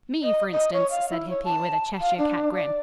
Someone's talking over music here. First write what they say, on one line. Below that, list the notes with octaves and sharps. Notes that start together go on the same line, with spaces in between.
"Me, for instance," said Hippy, with a Cheshire cat grin.
D#5
D#5
C#5
F5
E4
C#5
A5
F5
D4
D5